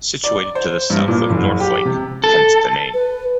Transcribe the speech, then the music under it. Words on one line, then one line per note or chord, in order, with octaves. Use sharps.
Situated to the south of North Lake, hence the name.
D5
C5
G2
A#2
F#1
G4
C3
A4
B4